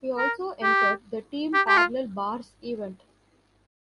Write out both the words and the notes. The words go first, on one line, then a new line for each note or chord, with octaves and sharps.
He also entered the team parallel bars event.
A#4
G4
G4
G4
F4